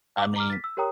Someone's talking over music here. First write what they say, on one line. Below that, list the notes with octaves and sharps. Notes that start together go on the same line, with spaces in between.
I mean,
D6
A#5 D6 F6
A6 B6
E6
G4 A#4 C#5 G5 A#5 D#6